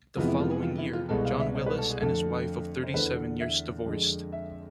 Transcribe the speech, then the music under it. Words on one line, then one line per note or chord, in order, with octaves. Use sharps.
The following year, John Willys and his wife of thirty-seven years divorced.
F2 C3 E3 G#3 B3 F4
E4
F4
G#4
F4
E4
F4
C2 B2 G#3 B3 A4
F5
E5
C5
B4
A4
G#4
F2 D3 A3 A4
C5
E2 D3 A3 B4
E5
F2 D3 G#3
E5